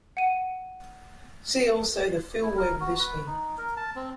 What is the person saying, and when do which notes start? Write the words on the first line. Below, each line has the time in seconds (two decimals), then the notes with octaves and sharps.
See also the 'Philweb' listing.
0.17 F#5 D#7
2.42 E4
2.57 A#4
2.80 F#4
2.99 B4
3.27 D#4
3.58 A#4
3.77 A5
3.96 C4